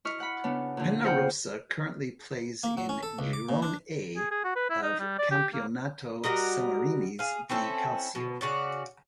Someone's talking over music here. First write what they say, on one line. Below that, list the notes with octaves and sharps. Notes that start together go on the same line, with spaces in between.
Pennarossa currently plays in "Girone A" of Campionato Sammarinese di Calcio.
E4 D#5 C#6 F6
F#5 B5
C#3 B3 D4
A#2 D3
F4 C5 F#5 G5
A#3
F#3
C#4
A4
C#2
D6
A#2
D4
G#4
G#4
F#4
B4
E4
D#4
G3
D5
G4
A#3
G3 F#4 A#4 D#5
G#4 F5
C4 C#4 E4 A4
B2
C#3 F#4 D5